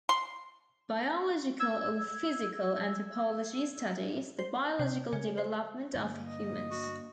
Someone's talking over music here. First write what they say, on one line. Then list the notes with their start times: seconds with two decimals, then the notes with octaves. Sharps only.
Biological or physical anthropology studies the biological development of humans.
0.09 C6
1.60 E6 G#6
4.39 C5
4.79 C3
5.13 C#3
5.38 C5
5.94 G2 D3 A#3
6.27 D#5
6.71 F#4